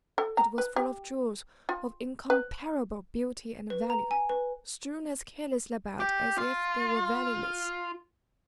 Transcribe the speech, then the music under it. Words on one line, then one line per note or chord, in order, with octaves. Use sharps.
It was full of jewels of incomparable beauty and value, strewn as carelessly about as if they were valueless.
A4
A#5
B4
G4
F4
B4
B4
A#5
G#5
B4
G4
F4